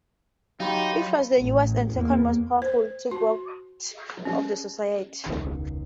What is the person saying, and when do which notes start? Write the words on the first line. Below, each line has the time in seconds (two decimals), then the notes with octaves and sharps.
It was the newest and second most powerful tugboat of the Society.
0.60 F#3 D#4 G4 F5 B5 C6
1.37 A1
1.92 E2 A#3
2.62 C5
3.11 F#4
4.25 C#4
5.26 E1 C#2 D#3